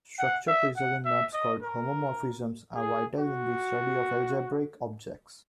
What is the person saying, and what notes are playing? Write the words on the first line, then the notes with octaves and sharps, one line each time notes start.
Structure preserving maps called "homomorphisms" are vital in the study of algebraic objects.
F#5
E5
F#5
E5
D#5
A#4
G#4
F#4